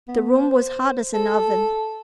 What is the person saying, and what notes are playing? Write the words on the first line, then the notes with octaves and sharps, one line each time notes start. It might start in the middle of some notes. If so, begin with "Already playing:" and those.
The room was hot as an oven.
B3
C5
A4